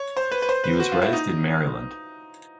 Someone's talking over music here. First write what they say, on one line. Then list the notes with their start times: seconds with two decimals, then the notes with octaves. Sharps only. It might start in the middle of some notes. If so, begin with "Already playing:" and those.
He was raised in Maryland.
Already playing: C#5
0.17 C5
0.32 B4
0.42 B4
0.49 C5
0.64 B4
0.80 F#4
0.92 F4
1.02 E4
1.13 D#4